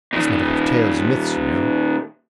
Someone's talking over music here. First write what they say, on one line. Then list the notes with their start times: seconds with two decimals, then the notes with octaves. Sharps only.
That's made up of tales, and myths, you know.
0.13 A#2 D#3